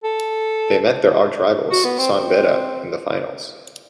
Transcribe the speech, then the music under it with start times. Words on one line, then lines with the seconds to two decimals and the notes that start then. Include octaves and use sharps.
They met their archrivals, San Beda in the finals.
0.04 A4
1.71 F#4
1.84 B3
1.99 C4
2.12 C4